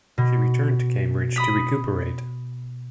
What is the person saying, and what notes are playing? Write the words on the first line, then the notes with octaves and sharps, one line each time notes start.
She returned to Cambridge to recuperate.
B2
B5 D#6 B6